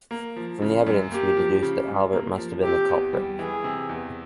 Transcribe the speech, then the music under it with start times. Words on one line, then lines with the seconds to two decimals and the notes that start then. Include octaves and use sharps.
From the evidence we deduced that Albert must have been the culprit.
0.11 A#3
0.36 F3
0.62 C#3
0.87 F#2
1.12 A#3 G4
1.37 F3
1.62 C#3
1.88 F#2
2.13 A#3
2.38 F3
2.63 C3 G4
2.89 E2
3.13 G3
3.39 E3 G#4
3.64 C3
3.89 E2